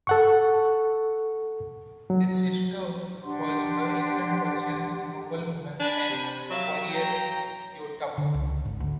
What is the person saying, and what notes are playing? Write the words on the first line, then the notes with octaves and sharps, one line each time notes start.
His sister was the ancient Persian noblewoman and warrior Youtab.
A4 F#5 C#6
F#3
D4 G4 F#5 C6
D4 G#5 B5
C3
F#3 E5 F5
G5 A#5
D3
C#2
G#1
D2